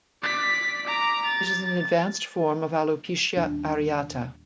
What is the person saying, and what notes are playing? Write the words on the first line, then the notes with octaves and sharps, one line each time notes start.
It is an advanced form of alopecia areata.
D5 B6
A#5 D6
A6
D#1 D4